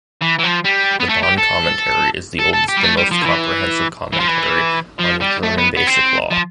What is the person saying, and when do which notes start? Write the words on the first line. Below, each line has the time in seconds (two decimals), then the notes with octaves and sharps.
The Bonn Commentary is the oldest and most comprehensive commentary on the German Basic Law.
0.22 E3
0.39 E3
0.44 F3
0.65 G3
1.00 B3
1.09 A3
1.23 G4
1.38 A4
2.39 A4
2.53 A4
2.69 G4
2.77 G3
2.83 A3
2.97 G3
3.11 F3
3.22 D3
3.26 E3
4.13 E3
4.20 F3
4.28 E3
5.00 F3
5.22 G3
5.43 A3
5.58 B3
5.77 B3
5.87 C4
6.31 F3